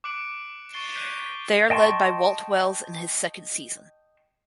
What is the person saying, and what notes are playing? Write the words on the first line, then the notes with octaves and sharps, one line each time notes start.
They are led by Walt Wells in his second season.
D6 F#6 C#7 D7 F#7
C#6 A6 C7 E7 G7
F#6 G6 B6 D#7 F7
A6
D#5 G5 A5 C6 C#6